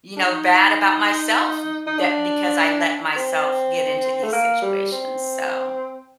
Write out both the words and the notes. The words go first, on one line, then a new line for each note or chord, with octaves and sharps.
you know, bad about myself th that because I let myself get into these situations, so,
D4
D#4
D#4
D4
C4
A3
A#3
G3
C4